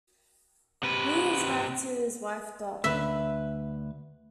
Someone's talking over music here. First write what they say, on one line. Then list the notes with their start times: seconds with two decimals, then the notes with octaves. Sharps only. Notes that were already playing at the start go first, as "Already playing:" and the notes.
Wye is married to his first wife, Dot.
0.83 C3 B4
2.84 D2 B4 E5